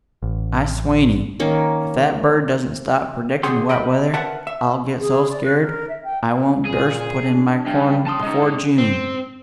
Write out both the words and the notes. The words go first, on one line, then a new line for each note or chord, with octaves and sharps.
I swanny, if that bird doesn't stop predictin' wet weather, I'll get so scared I won't durst put in my corn afore June.
A1
D#3 A#3 C#4
B2 D3 G#4 F#5 G5 C6
D#5 G5 B5
A#4 B4 E5 F#5 A5
E5
G#4
D5
F#6
A#4
E5
G5
A#2 G#4
D4 G#5
G2 G5
C#4 A5 C6 D#6
G#3 D#4
C4